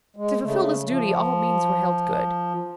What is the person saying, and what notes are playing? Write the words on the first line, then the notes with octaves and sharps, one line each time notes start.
To fulfil this duty all means were held good.
G#3
C#3 A3
F3